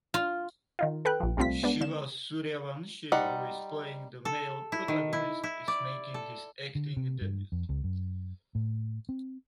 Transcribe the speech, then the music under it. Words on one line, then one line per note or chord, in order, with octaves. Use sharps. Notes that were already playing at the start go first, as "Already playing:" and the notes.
Shiva Suryavanshi who is playing the male protagonist is making his acting debut.
F4
D#3 D#4 F4
A4 B4 G5 F#6
A#1 F3
C2 G3 A3 C4 F4 B6
G#3 B3 D4
D3 E7
G3 D#4 C5 F#5
A4
E4
D#3
E4
E4
D5
A4
D3
C3
G2
F2
C#2
F#2
A2
C4